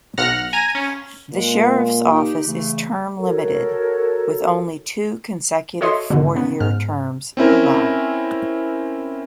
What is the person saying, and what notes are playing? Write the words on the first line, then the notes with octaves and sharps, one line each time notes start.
The Sheriff's office is term limited with only two consecutive four year terms allowed.
B1 F#5 F6 A#6
G#5 A#5 D#7
C#4
A#2 G#3
D#4 G4
C#3 E3 A3
F#4 A4 A#4 C#5
F#4 A4 C#5 D#5 E5 C6
F2 G#2 B2 D3
C#3 B3
G#2 F6
C4 C#4 E4 A#4